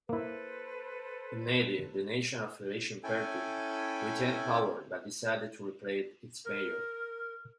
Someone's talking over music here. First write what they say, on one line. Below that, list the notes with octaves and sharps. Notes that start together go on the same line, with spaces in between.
In Nadi, the National Federation Party retained power, but decided to replace its Mayor.
A#3 E4 A4 B4 C5
C#4 E4 A4 G5 G#5
A#4